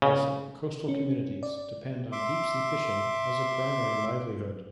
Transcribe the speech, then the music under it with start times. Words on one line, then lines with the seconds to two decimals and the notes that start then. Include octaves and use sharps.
Also, coastal communities depend on deep-sea fishing as a primary livelihood.
0.02 C#3
0.88 C#4
1.43 D5
2.12 E5 C6 D6